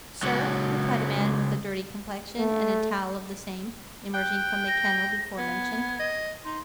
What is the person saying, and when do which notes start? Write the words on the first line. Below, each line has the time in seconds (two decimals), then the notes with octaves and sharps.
'Sir?' replied a man with a dirty complexion, and a towel of the same, emerging from the kennel before mentioned.
0.23 C#2 F#3
2.39 A3
4.14 G5 F#6
4.68 A#6
5.38 B3 G#6
6.00 D#5
6.44 D#4 C6